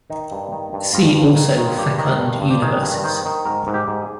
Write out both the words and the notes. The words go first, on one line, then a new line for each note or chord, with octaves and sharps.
See also Fecund universes.
D#3 D#4
G2
D#3 D#4
G2
G2 F4
G2
D#3
D#3
F4
G2 G4
D#3
G2
G2
G4
D#3 G#4
G2
D#3 C5
D#3
G#2 A#4
G#2
G4
G#2
G#4